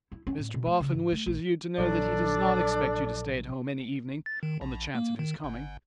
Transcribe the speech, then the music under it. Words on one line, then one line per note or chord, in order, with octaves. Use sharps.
Mr Boffin wishes you to know that he does not expect you to stay at home any evening, on the chance of his coming.
E4
C#4
A2
B2
A3
C#3
G#2
A3
A#1
A#1 F#3 D4 A4 D5
A6
D#3
A#1
A#3
D#3
G1